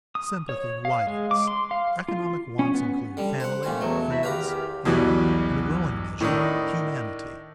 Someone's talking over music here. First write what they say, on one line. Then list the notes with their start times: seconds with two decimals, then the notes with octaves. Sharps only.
Sympathy widens; economic wants include family, friends, and, in a growing measure, humanity.
0.15 D#6
0.49 C#5
0.85 F5
1.07 G#3
1.31 D6
1.47 C6
1.71 F5
2.09 F4
2.59 C#4
2.75 B3
3.17 D3 G3
3.40 C5 F#5
3.63 A#2 D3 D#3 A3 C#4 C5
3.81 E2 B2 F#3 A3
4.09 E4 F#4 E5
4.23 E2 D#3 G4 B4 F5 A#5
4.85 B1 E2 B2 E3 G3
6.21 A2 D#3 D4 D#4